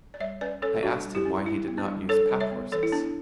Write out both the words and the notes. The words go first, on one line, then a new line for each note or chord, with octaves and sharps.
I asked him why he did not use pack-horses.
D5
G3 C#5 E5
C#4 B4 D5
C#4 A4 C#5
G3 D4 F#4
G3
E4 G4
C#4
G3 E4
B3
D4
G3
D4 A4 C#5
G3
C#5 E5
B3
E3 A4 C#5
E4
B3 D4